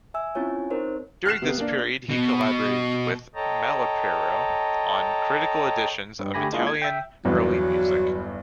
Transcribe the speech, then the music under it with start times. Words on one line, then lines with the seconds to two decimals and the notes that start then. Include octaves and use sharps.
During this period he collaborated with Malipiero on critical editions of Italian early music.
0.14 E5 G#5 E6
0.35 C4 C#4 E4 F4 C#5 G#5
0.70 C4 D#4 A#4 C5 C#5
1.25 F6 F#6 C7 E7
1.42 C3 B3
1.58 A#3 D4
2.10 B2
3.35 A4 C#5 D#5 G5 A5 A#5
6.19 G2
6.34 D3 A3 G4 G#5 B5 A#6
6.52 G#3 A#3 D4 E4 F4 G#4
6.67 G#6
6.82 E5 G5
7.25 G1 E2 G2 F#3